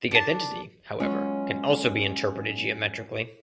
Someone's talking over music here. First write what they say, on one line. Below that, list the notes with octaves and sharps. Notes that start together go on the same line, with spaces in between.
The identity however can also be interpreted geometrically.
D4 A5
F#3 G#3 B3 C#4 F4